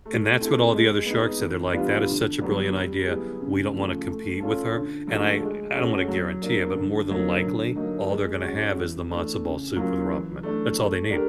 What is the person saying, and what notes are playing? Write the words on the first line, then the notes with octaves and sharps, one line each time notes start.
And that's what all the other sharks said. They're like, "That is such a brilliant idea. We don't wanna compete with her." And I I don't wanna guarantee it, but more than likely, all they're gonna have is the matzo ball soup with ramen. That's all they need.
A3
C4 E4 A4
G#3
B3 D#4
E3
G3 B3 D4 F4
D3
F#3 B3 D4 G4
G3
B3 E4 G#4
C#3
F3 A3
A3
C#4 F4 A4
D3
F3 A3 D4 F#4
G#3
C#4 F#4 A4
F#3
A#3 D4
D3
F#3 A#3 D#4
D3
F#3 A#3 D#4
G#3
C#4 F#4
E3
A3 D4
C#3
F#3 A#3 C#4 F4
E3
A3 D4
A3
D4 G4 A#4